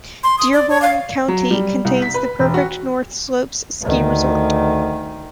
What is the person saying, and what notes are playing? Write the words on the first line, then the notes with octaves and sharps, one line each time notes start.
Dearborn County contains the Perfect North Slopes ski resort.
C6
D#6
D5
C#5
F5
F#3
G3
C2
B6
B4
E1
F#4
D2 D#3